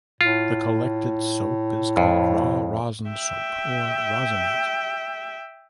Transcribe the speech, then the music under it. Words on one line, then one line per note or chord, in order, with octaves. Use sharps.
The collected soap is called "raw rosin soap" or "rosinate".
A2 F4
F2
E5 G5